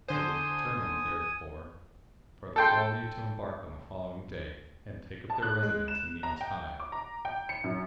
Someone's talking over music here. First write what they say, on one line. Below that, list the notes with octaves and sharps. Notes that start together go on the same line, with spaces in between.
It was determined, therefore, for the colony to embark on the following day, and take up their residence in Nina's Hive.
D3 C5 G#5 D#6
A4 G5 C6
A5
F#6
G#3
E7
A#5
G5
D6
A#5
G5
C#7
F#2